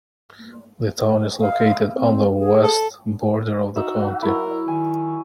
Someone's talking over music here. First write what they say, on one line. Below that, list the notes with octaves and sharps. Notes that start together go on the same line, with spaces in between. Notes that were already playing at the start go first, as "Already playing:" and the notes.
The town is located on the west border of the county.
F5
C4
G#4
A4
D#4 F#4 E5
F#3 E4 A#4
D#3 G#5